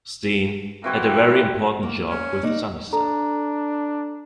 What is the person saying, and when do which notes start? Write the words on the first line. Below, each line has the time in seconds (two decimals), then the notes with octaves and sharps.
Stein had a very important job with Sunnyside.
0.84 A#2 E3 C4 F#4 G5
1.83 A#3
2.10 C#4
2.43 A#3 D4 D#4
2.93 D4 A4 A#5